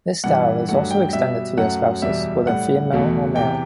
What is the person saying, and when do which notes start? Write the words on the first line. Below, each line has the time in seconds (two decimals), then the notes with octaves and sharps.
This style is also extended to their spouses, whether female or male.
0.24 G2 E3 G3 F#5
0.69 G2 F#3 A3 F#5
0.91 G5
1.13 B2 G3 E5
1.58 F#2 F#3 A3 F#5
2.02 E2 B2 G3 E5
2.47 A2 G3 F#5
2.91 E2 B2 A3
3.36 E2 C3 E3 G5